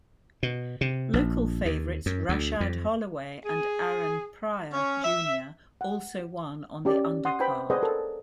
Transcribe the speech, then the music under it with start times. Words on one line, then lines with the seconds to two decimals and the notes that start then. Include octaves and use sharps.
Local favorites Rashad Holloway and Aaron Pryor Junior also won on the undercard.
0.43 B2
0.81 C3
1.13 A#1
1.65 D#2
2.06 F#2
2.29 D2
2.60 F2
3.46 G#4
4.73 C#4
5.04 E5
5.81 F#5
6.85 C#4 G4 D5
7.25 F#5 C6 D#6
7.40 B4 C5 G5 B5
7.70 G#4 B4 C5 D5 D#5 F#5
7.82 A4 A#4